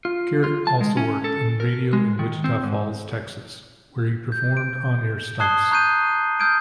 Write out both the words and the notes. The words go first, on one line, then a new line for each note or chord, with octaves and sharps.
Garrett also worked in radio in Wichita Falls, Texas, where he performed on-air stunts.
F4
F4
A5
G#3
C#4
A4
A#4
G#3
D#3
C4
G#2
G6
D7
A5 D#6 F#6 G#6 C7 G7
A#5 C#6 F#6 G6 C7 D#7
D#6 F6 G6 G#6 D7 D#7